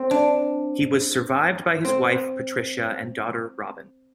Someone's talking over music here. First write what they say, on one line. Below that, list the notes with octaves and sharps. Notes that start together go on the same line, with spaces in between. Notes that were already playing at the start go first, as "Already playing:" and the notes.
He was survived by his wife Patricia and daughter Robin.
Already playing: C4
D4
C4